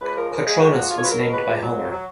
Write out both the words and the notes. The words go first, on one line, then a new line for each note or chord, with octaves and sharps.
Kotronas was named by Homer.
C#2 B4
F3 A#4
C#3 A#4
G#3 G#4
C#2 F#4
F3 F#4
C#2 F4
C#5
F#3 B4
A#4
B2
C#2 B4
C#2
F#3
F2
F#3